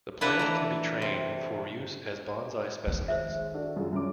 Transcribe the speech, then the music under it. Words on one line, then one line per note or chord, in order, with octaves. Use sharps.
The plant can be trained for use as bonsai specimens.
A#3 D4 E4 B4 F#5 A#5
E3 A3 A#5
C3
D#3
G#3 C5 E5
D4 F#4 A4
F#2 F4 G#4
F#2 C#4 D6